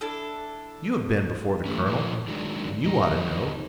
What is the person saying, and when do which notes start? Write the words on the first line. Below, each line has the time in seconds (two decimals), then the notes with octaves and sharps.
You have been before the colonel, and you ought to know.
0.01 D4 E4 A4
1.66 E3 A3 C#4
1.86 A#2 F3 E4
2.28 D#3 F#3 G#3 D4
2.84 E2 D#4